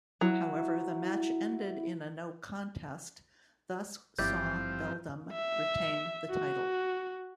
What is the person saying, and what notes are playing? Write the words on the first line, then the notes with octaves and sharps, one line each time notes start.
However the match ended in a no contest thus saw Beldam retain the title.
F#3 E4
G#1 G2 F3 C4 E4 G4 D5 G6
E5
F#4